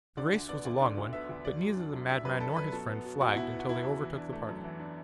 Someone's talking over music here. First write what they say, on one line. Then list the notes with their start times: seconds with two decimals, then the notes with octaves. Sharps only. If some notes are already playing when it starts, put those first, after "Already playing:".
The race was a long one, but neither the madman nor his friend flagged until they overtook the party.
0.17 D3 D5
0.33 D2
0.49 B3 D5
0.65 D2
0.81 D3 D5
0.97 D2
1.13 B3 E5
1.29 D2
1.45 F#3 D5
1.60 F#2
1.77 D4
1.93 F#2
2.09 F#3 E5
2.25 F#2 B4
2.40 D4 A4
2.56 F#2 B4
2.72 B2 A4
2.89 B3
3.05 F#3
3.21 E2 F#4
3.36 B2 E4
3.52 B3
3.59 F#4
3.69 F#3 E4
3.84 E2
4.01 E3
4.16 D4
4.33 A3
4.49 F#2
4.64 E3
4.80 D4